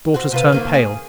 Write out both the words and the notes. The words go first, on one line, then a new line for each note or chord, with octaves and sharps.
Daughters turn pale.
C4 F#4
C3 F4 B4
D#3 A#3
G#4